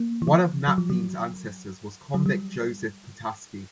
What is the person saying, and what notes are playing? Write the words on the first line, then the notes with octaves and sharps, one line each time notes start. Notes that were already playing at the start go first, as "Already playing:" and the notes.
One of Napthine's ancestors was convict Joseph Potaski.
Already playing: A#3
E3
F3
F#3
F3
F#3
F#3
G3